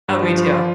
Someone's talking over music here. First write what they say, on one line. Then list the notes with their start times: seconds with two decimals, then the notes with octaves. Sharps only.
Oh, me too.
0.08 G2
0.23 F3
0.38 F3
0.53 F4